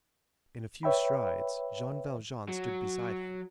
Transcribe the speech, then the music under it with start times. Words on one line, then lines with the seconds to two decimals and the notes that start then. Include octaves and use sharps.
In a few strides Jean Valjean stood beside him.
0.83 B4 C#5 E5 G5 B5
2.48 F#3